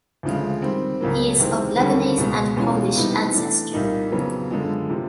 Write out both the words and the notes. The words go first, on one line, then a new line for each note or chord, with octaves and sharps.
He is of Lebanese and Polish ancestry.
D2 C#3 F3 G#3
D#3 G3 C4
C#2 C#3 F#3 A#3
E2 C3 D#3 G#3 C4
D#2 D3 G3 A#3 C#4
C#2 B2 G#3
E2 B2 G#3 C#4 F4
C3 E3 G3 B3 D#4
E3 A3 D4
C2 A#2 G3 A#3 D#4
F2 C#3 F#3 B3
F#2 D3 F3 G#3
C3 F3